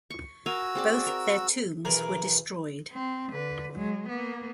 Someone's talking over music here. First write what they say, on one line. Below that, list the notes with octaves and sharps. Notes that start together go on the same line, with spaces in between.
Both their tombs were destroyed.
C#6
F#4 A#4 F5 G#5 E6
C4 G#4 D5
A#4
B1 E3 G#4 A#4
C4
D3 B4
F#3 G#3
A#3 B3